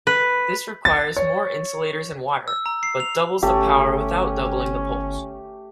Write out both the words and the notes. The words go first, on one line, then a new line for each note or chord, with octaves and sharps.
This requires more insulators and wire, but doubles the power without doubling the poles.
B4
A6
C#5
E6
A#5
C7
F7
G1 A3 C#4 G4